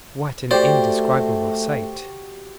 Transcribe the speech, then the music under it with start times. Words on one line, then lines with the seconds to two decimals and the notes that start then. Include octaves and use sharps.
What an indescribable sight!
0.51 A3 F#4 G4 C5 D5